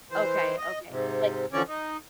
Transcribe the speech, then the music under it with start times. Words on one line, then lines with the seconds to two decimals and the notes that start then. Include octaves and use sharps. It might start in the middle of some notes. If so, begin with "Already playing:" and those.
okay, okay. Like
0.11 E3 C5
0.58 D#5
0.90 G#2 C3
1.53 D3 E3 F3 C#4 C#5 D5
1.68 D#4